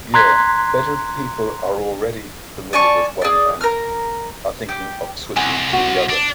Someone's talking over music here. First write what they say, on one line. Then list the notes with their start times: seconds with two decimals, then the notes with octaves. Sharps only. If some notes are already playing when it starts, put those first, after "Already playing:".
Yeah, better if people are already familiar with one and are thinking of switching to the other.
0.14 A#5 C6 F#6 G#6 B6
2.73 D5 G#5 A5 C#6
3.22 G#4 D5
3.61 A#4 F6
4.69 G4
5.36 C2 F#5 G#5
5.73 F#4
6.09 D4